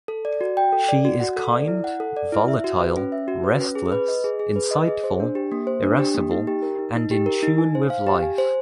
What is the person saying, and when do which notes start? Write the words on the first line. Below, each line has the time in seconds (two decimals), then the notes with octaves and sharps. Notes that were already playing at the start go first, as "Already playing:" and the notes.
She is kind, volatile, restless, insightful, irascible and in tune with life.
0.08 A4
0.25 D5
0.41 F#4
0.57 G5
0.72 A4
0.89 D5
1.05 F#4
1.20 F#5
1.36 A4
1.53 D5
1.68 E4
1.84 F#5
2.00 A4
2.17 D5
2.32 E4
2.48 E5
2.64 F#4
2.80 B4
2.97 C#4
3.12 E5
3.28 F#4
3.44 B4
3.59 C#4
3.75 G#4
3.92 B4
4.08 D#5
4.24 G#4
4.39 G#4
4.56 B4
4.71 D#5
4.88 G#4
5.04 C5
5.20 D4
5.35 G4
5.52 A#3
5.67 C5
5.83 D4
5.99 G4
6.15 A#3
6.31 D#4
6.47 G4
6.62 A#4
6.79 D#4
6.95 D#4
7.11 G4
7.26 A#4
7.43 D#4
7.58 G#5
7.75 C5
7.90 F5
8.07 G4
8.23 G#5
8.38 C5